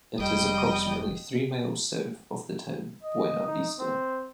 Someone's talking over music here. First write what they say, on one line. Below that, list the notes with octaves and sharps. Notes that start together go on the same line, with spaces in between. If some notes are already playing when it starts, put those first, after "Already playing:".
It is approximately three miles south of the town of Buena Vista.
F1 G3 D#5 G5
D#5
D#4
C4